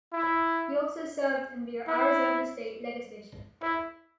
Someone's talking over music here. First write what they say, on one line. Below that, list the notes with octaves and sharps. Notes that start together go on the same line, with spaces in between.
He also served in the Arizona State Legislature.
E4
E4
E4